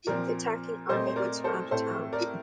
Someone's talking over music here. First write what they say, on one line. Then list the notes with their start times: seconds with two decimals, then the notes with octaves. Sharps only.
The attacking army would surround a town.
0.07 A#2 F3 C4 A#4 D5
0.89 A#2 A3 C4 C5 D#5
1.07 C5
1.16 A#4 D5
1.44 A4 C5
1.71 A2 A3 C4 A4 C5
2.13 A#4 D5